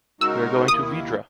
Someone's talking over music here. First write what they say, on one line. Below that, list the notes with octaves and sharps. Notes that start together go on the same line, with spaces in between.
We are going to Vidrà.
C#3 G#3 D#4 F#4 A#4 E6
D#2 D#3 A#3 E4 D#6